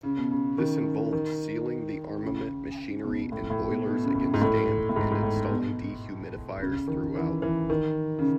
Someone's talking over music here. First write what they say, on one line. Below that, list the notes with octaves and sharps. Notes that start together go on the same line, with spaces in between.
This involved sealing the armament, machinery and boilers against damp and installing dehumidifiers throughout.
C#3
B2
C#3
D#3
D#3
C#3
B2
A2
A2
B2
B2
C#3
B2
G#2
A2
A2
G#2
G#2
A2
B2
C#3
D#3
E3
E3
D#3
C#3